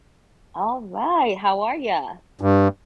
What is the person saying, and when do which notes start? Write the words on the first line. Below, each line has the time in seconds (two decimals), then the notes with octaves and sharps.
All right, how are ya?
2.41 G2